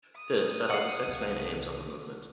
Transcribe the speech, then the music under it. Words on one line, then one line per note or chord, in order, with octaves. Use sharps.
This set out the six main aims of the movement.
D#6
F5 F#5
C2 C3